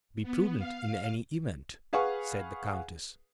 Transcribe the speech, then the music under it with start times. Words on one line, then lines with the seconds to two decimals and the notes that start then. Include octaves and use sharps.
"Be prudent, in any event," said the countess.
0.23 B3
0.58 F5
1.93 G#4 B4 F5 F#5 G#5 C#6